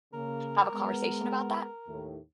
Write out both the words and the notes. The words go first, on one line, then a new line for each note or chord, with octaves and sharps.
have a conversation about that?
C#3 A#3 A#4
G#3 B3
D#2 A2